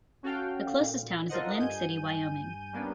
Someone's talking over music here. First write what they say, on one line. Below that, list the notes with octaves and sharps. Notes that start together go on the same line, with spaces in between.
The closest town is Atlantic City, Wyoming.
C#4 F#4 A4 F5 G5
A#2
F4 A4 A#4 C5 D#5 F#5
G2 G#5 G6 D#7
G3 A#3 B3 C#4 D4